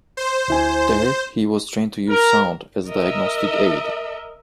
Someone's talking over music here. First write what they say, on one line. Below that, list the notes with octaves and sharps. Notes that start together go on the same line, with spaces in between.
There he was trained to use sound as a diagnostic aid.
C5
D2 E4 G#5
A#4
A#4 D#5 E5